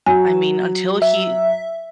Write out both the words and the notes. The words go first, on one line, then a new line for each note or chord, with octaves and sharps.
I mean, until he,
F#3 G#5
E5